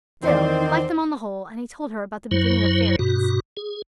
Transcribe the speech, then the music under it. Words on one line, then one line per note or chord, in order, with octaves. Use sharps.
Still, he liked them on the whole, and he told her about the beginning of fairies.
E2 D#3 C4 C5 D5
F#2 F#3 E4 C5
G2 B2 F#4
G#4